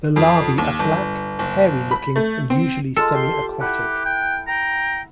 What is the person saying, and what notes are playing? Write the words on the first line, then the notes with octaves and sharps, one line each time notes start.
The larvae are black, hairy-looking, and usually semiaquatic.
F2
D#2
G1
F#1
B5
A3
C4
G#3 F4 A4 A5
G4 C6
E4 G4 F#5 E6 F#6
G5
G5 A#5